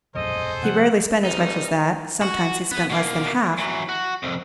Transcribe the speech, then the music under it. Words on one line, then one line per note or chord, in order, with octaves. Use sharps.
He rarely, spent as much as that; sometimes he spent less than half.
E1 A#1 F#2 G#4 A4 C5 D#5
C3 F3 G3 F#5
G#1 E3 G3 D#4 F6
F#4
B3
B2 A#3
E3 F#3
F#4
C2 F2